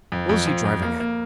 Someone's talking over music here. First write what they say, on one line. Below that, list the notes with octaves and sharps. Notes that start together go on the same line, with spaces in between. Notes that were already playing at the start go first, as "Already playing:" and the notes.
What was he driving at?
F2
F2
F2
F2
A#3
A#3